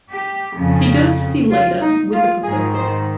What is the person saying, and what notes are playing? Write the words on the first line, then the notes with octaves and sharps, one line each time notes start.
He goes to see Lyta with a proposal.
G4
F2 C#3 F3
F4
D#4
F4
G#2 D#3 G#4
C5